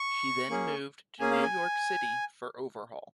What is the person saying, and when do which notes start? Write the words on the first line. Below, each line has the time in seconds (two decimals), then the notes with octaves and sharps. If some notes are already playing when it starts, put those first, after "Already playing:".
She then moved to New York City for overhaul.
Already playing: C#6
0.50 A#3 C#4 G#4
1.19 A#3 C#4 G#4 G#5
1.31 F5
1.42 G#5